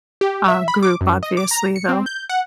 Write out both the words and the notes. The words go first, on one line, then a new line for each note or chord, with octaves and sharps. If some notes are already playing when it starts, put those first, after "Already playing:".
uh, group, obviously, though.
G4
E5
B5
D6
F#2
D#5
D6
A#5
C#7
C4
G6
F#5